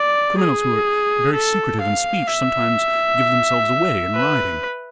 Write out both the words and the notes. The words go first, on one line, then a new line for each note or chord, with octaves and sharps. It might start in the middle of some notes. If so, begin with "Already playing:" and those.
Criminals who are very secretive in speech sometimes give themselves away in writing.
Already playing: D5
G#4
A4
F5
E5
B4